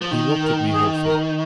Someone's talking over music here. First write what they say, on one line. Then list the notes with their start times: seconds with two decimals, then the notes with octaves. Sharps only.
He looked at me hopefully.
0.02 F3
0.11 D#3
0.43 A#4
0.74 G#4
1.05 A#4